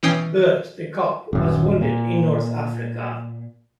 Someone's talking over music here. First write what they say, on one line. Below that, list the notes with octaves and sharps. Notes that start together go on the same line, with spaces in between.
Bert the cop was wounded in North Africa.
B2 E3 C#4 G5 D#6 C7
D#1 F#2
A#2